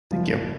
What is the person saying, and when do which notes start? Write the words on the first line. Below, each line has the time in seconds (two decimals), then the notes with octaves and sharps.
Thank you.
0.11 F#1 F3